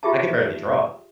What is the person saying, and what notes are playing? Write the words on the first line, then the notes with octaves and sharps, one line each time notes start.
I can barely draw.
F4 G4 G#4 E5 A5